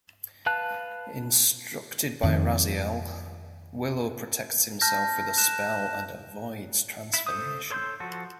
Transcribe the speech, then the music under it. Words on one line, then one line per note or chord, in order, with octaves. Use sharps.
Instructed by Raziel, Willow protects himself with a spell and avoids transformation.
B4 F5 A5 F#6
F2 D#3
A5 F6 G6 A#6
F#6 E7
E4 E5
A4 C5 D#6
A4 C#5 C6 E6 G6
F3 F#4 A4